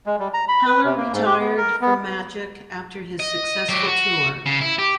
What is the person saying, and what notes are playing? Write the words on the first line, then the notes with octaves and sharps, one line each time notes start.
Heller retired from magic after his successful tour.
G#3
G3
A#5
B5
B4
C3
A#3
G#2
G4
B3
A#4
B3
D#5
F#3 G4
F#4
C#3
E4
G4